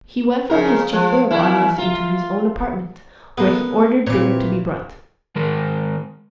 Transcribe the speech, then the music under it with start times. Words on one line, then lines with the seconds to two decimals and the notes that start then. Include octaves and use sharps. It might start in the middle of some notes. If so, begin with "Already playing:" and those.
He went from his chamber of audience into his own apartment, where he ordered dinner to be brought.
0.50 F2 C#3 A#4
0.93 F3
1.30 E2 A#3 E4
1.78 F4
3.38 G#3 A#3 B3 A4
4.07 A#2 E3 C4 C#5 D6
5.36 D#3 G#3 A#4